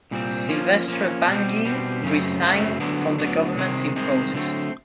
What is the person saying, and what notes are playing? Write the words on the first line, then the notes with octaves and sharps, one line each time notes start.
Sylvestre Bangui resigned from the government in protest.
C2 A#2 G3 C4
F3 A#3 C#4
F3 A#3 C#4
B2 G3 C4
B2 G3 C4
F#2 C#3 F#3 A3 C4
F#2 C#3 F#3 A3 C4
D2 D3 F#3 B3 D4
D2 D3 F#3 B3 D4
C2 C3 D#3 G#3 C4
C2 C3 D#3 G#3 C4
D3 F#3 A3 C4